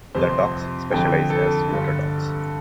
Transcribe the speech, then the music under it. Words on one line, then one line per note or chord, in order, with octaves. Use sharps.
The dogs specialize as water dogs.
F2 C3 C5 C6
F2 D3 G5
A4 A5
G2 D3